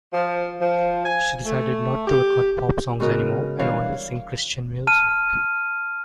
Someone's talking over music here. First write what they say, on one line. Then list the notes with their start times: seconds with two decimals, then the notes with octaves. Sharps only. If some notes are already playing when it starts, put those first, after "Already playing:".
She decided not to record pop songs anymore and only sing Christian music.
0.13 F3
0.61 F3
1.05 G#5
1.45 A3
2.07 G4
3.00 G#2 C#3 B3 F#4 A#4 D#5
3.59 E3 G3 D4 C#5 F5
4.87 A5 F6 D#7